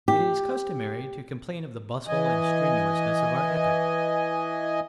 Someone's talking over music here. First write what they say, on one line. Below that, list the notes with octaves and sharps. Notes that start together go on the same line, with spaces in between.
It is customary to complain of the bustle and strenuousness of our epoch.
G4
E3 D#5 G#5